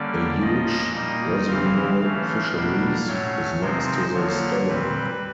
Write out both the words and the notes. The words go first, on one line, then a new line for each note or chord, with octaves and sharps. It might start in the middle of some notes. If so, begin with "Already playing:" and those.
The huge Rosignol Fisheries is next to the stelling.
Already playing: D3 G3 A#3 C#4 D5
F3 A#3 C#4 D#5
A#2 G3 A#3 D#4 D#5
C#3 E3 G3 C4 F5
E3 A3 C#4 F5
B2 G3 A#3 D4
A2 F#3 A3 C#4 C#5
C3 F3 G#3 C4 D#4 C5
D3 F3 A#3 C#5
A#2 G3 C4 B4